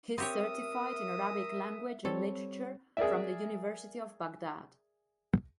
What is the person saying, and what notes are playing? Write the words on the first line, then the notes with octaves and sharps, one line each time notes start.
He is certified in Arabic Language and Literature from the University of Baghdad.
C4 G4 A#4 C#5 E5 D#6
G3 C4 A4 C#5
G#4 A#4 D5 E5